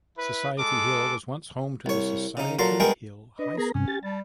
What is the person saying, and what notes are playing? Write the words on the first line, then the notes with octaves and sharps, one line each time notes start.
Society Hill was once home to the Society Hill High School.
E4 B4
G#3 A4 D6
C2 C#5
C#3 D#4
A#2 F#3 A4 A#5 C6
G2 G#3 B3 G#4 A#4 G5
D4 B4 D#5
B3 G#4 A#4 A#5
G2 C3 C#4
G4 A6
G3 A5